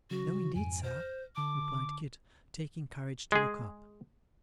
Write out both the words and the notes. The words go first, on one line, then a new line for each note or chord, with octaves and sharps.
'No indeed, sir,' replied Kit, taking courage to look up.
C#3 F#3 F#4
F2 G#2 G#5 D7
C5 F6 A#6
D3 A5 D6 D7
G#3 G#4